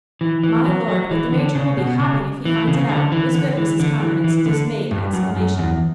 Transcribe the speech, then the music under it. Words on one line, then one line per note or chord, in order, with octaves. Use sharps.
"My Lord, but the major will be hopping if he finds it out!" was good Mrs. Condiment's dismayed exclamation.
E3
E3
F#3
F#3
E3
D3
C#3
B2
C#3
E3
C#3
D3
E3
D3
E3
D3
E3
E3
D3
G2
F#2
F#2
E2